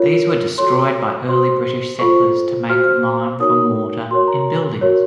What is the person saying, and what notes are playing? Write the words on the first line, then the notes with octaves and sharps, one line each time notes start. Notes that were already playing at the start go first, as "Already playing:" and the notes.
These were destroyed by early British settlers to make lime for mortar in buildings.
Already playing: F4 A#4 C#5
F#4 A4 C#5 C6
F#4 C5 C6
F4 A4 C5 C#6
F#4 C5 F6
D#4 F#4 A#4 C#5 D#6
F#4 A#4 C#5 C6
A#5
F#4 A#4 C#5